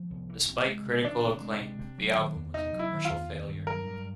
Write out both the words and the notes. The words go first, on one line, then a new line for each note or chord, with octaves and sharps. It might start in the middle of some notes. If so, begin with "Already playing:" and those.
Despite critical acclaim, the album was a commercial failure.
Already playing: F3
C2
E3
C3
G#3
C3
E3 D4
C3
G#3
C3
C3
F#3
D#3
E2
C3 D#4
F#3
E4
D#3
F4
E2
D#3
G2
F#3 A#4
G2